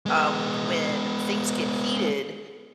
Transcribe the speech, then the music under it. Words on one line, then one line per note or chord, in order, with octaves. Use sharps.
Um, when things get heated,
G#3 B3